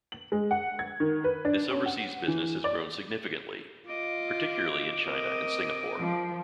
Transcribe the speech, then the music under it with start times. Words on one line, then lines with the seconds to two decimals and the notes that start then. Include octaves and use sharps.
This overseas business has grown significantly, particularly in China and Singapore.
0.12 F#7
0.32 G#3
0.51 F#5
0.79 G#6
1.00 D#3
1.24 B4
1.45 D4
1.71 C#4
1.86 F#5
2.28 E3
2.64 D5
3.88 F4 D#5 D6
5.04 C4 A#4 D#5
5.98 F3